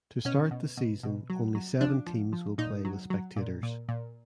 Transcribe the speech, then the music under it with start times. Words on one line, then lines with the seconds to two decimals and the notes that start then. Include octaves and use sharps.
To start the season only seven teams will play with spectators.
0.25 B2 C#4
0.51 B2
0.77 B2
1.03 B2
1.30 F#3
1.55 F#3
1.81 F3 D4
2.06 F3
2.33 F3
2.58 A#2 D#4
2.85 F#3
3.10 F#3
3.37 A#2
3.63 A#2
3.88 A#2